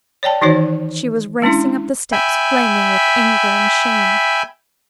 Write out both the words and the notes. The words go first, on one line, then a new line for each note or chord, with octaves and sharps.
She was racing up the steps, flaming with anger and shame.
C#5 D5 G5 A5
D#3 E3 D#4 F#4 C5 C#5
G#3 C#4 D4 E4
E5 G5 G#5 B5